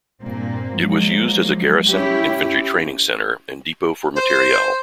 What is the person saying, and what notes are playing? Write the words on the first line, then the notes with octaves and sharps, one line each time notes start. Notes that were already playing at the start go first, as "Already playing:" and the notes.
It was used as a garrison, infantry training center, and depot for materiel.
G2 A#2 A#3 C4
F3 F#3 G#3 A#3
C#4 E4 G4
C5